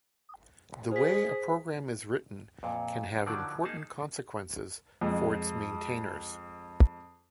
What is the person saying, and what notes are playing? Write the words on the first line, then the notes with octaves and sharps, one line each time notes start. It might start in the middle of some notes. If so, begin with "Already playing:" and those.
The way a program is written can have important consequences for its maintainers.
G#4 C5 B6
F2 A#2
D3 D#3 F3 F#3 D5
A#3 D#4 G#4 A5
F2 G#3